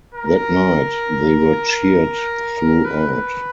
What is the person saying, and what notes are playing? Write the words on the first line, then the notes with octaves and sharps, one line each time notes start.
That night, they were cheered throughout.
A#4
B4